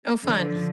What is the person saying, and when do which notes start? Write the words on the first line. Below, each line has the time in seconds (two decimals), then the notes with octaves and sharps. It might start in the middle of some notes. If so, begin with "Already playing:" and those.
Oh, fun.
0.24 D3 F3